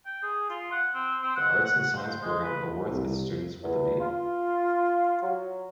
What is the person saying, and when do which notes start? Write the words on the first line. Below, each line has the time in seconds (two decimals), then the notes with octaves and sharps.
The Arts and Science Program awards its students with a B.
0.06 G5
0.23 G#4
0.50 F4
0.71 F#5
0.94 C4
1.22 C4
1.35 F#5
1.64 F#5
1.79 F#5
1.96 C5
2.22 G#3
2.43 B4
2.89 C2
3.63 E2
4.00 F4
5.23 F#3